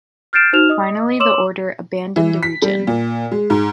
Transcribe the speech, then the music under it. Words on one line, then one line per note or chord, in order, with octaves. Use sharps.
Finally the order abandoned the region.
F6 G6 A6 C7 D7 E7
D#4 F#4 C5 F6 E7 F7
D#5 D#6
C#5 C6 D6 E6 E7 F#7
E3
B6
G3
A#2
G#3
G#2